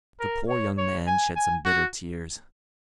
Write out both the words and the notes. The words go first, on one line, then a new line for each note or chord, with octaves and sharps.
The poor young man shed some bitter tears.
A#4
C#5
C#5
G#5
G#5
F#4